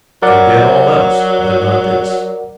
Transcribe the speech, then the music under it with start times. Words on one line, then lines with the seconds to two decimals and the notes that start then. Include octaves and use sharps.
Forget all else, but not this.
0.22 F#3 A#4 D5 F#5